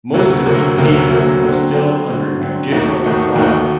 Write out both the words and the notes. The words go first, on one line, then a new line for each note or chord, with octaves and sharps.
Most of these cases are still under judicial trial.
D2 C3 F#3 A#3 F#4
D2 C3 F#3 A#3 F#4
D2 C3 F#3 A#3 F#4
D2 C3 F#3 A#3 F#4
D3 F#3 C4
D3 F#3 C4
D3 F#3 C4
D3 F#3 C4
D#2 D#3 A3 D#4 F#4
D#2 D#3 A3 D#4 F#4
D#2 D#3 A3 D#4 F#4